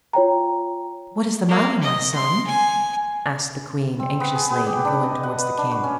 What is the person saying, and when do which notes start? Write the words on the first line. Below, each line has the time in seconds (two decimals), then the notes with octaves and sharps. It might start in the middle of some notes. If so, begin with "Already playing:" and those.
"What is the matter, my son?" asked the queen, anxiously, and going towards the king.
0.13 F4 C#5 G5 A#5
1.49 A#3
1.83 D#5
2.14 C6
2.47 G#5
4.00 C4
4.20 B3
4.35 G#4
4.50 B3
4.67 G4
4.85 D4
5.03 D#5
5.23 F#5
5.38 B4
5.58 D4
5.71 F#4
5.84 C#4